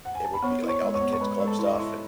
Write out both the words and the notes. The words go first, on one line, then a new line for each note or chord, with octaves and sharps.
it would be, like, all the kids club stuff and,
F#5
G#5
A5
B5
B3 C#5 C#6
E4
C#5 C#6
G#3
C#5 C#6
B3
C#6
G#3 B4 B5
G#3
A4 A5
E4
D#5
E5
E4